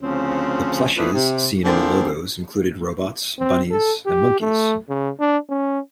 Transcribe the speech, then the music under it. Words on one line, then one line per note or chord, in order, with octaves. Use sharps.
The plushies seen in the logos included robots, bunnies, and monkeys.
D2 C#3 F3 C4 C#4
B2 F3 A3 D4 G#4 B4
C3
D3 E3 F3 A#3 C4
C4
A4
G4
A3
C#3
D4
C#4